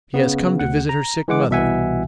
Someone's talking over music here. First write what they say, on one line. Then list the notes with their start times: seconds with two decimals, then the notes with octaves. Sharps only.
She has come to visit her sick mother.
0.14 C#3 B3
0.59 D2 F#5
0.89 A#5
1.28 E3 G#3 F#5 D6
1.50 C2 B2 E3 E5 F#5 G#5